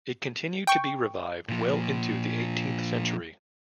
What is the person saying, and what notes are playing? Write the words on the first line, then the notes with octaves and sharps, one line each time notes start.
It continued to be revived well into the eighteenth century.
G5 C#6
A#2 F3